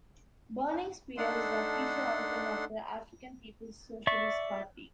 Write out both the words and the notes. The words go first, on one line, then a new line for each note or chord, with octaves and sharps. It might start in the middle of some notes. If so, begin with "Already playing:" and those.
Burning Spear is "the official organ of the African People's Socialist Party".
A3 D4 D#4 A4 F#5 C6
D5 E5 C#6